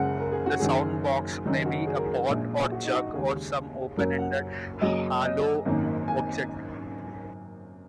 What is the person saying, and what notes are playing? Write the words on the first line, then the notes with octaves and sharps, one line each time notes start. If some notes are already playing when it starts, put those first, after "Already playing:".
The sound box may be a pot or jug or some open-ended hollow object.
Already playing: F#1 F#2 C#3 G#3 F#5
A#4
G#4
F#4
F#1 F#2 D#3 G#4
F#1 F#2 D#3 F#3 D#4
F#4
G#4
A#4
G#4
A#1 A#2 G#3
F#4
D#4
F#4
D#2 C#3 G#3 G#4
F#1 F#2 F#3 A#3 A#4
F#5
F#2 C#3 F#3 A#3 D#5
D#5
G#1 F#2 D#3 A#3
G#5